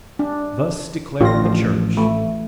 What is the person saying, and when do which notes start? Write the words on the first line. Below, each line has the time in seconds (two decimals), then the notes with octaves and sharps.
Thus declared the Church.
0.19 D4
1.21 A1 A2 D4 F4 G4 A#6
1.44 F3
1.97 A3